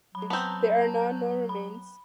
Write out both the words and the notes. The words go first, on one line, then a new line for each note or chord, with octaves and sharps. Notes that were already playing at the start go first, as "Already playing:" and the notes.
There are now no remains.
F#3 B5
B3 C4 A5 A#5 G6
B5